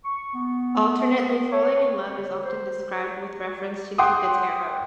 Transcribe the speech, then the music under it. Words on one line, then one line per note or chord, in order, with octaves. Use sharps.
Alternately, falling in love is often described with reference to Cupid's arrow.
C#6
B3
C#5
D3
C5
F#5 G5 C6 D6 D#6